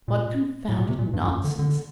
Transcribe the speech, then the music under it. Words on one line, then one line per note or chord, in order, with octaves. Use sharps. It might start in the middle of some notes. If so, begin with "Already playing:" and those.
What confounded nonsense!
A#2
A2
A#2
C3
A#2
G2
F#2
D3
D3